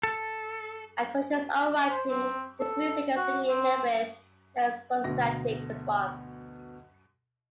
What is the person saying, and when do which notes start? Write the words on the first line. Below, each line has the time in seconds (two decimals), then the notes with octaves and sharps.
According to his own writings, his music and singing met with an enthusiastic response.
0.03 A4
1.90 C5
2.10 C4
2.60 A4
3.17 F#4
3.49 C4
5.04 D2 B2 A#6